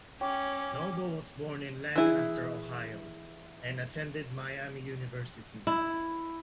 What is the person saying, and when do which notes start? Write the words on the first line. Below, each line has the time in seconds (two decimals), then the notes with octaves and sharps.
Noble was born in Lancaster, Ohio, and attended Miami University.
0.21 C#4 C#5 G5 D6
1.96 E3 E4 G#4
5.67 E4